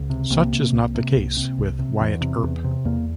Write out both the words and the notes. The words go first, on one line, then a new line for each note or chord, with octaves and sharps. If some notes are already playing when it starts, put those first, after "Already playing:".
Such is not the case with "Wyatt Earp".
Already playing: C#2
C3
C2 A#3
C3
C2
C3
C2
C3
C2
C3
E2
C3
E2
C3
E2 A#3